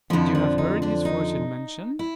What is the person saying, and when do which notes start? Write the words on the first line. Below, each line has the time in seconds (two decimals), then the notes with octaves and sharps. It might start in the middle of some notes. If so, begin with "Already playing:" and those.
"And you have heard his fortune mentioned?"
0.10 F2 D3 F3 E4
0.35 D4
0.58 D#4
0.82 D4
1.05 D#4
1.99 E4